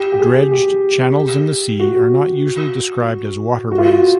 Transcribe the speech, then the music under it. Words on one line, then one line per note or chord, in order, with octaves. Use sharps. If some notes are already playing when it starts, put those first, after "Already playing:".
Dredged channels in the sea are not usually described as waterways.
Already playing: G4
G4
G#4
G4
F#4
F#4
F4
F#4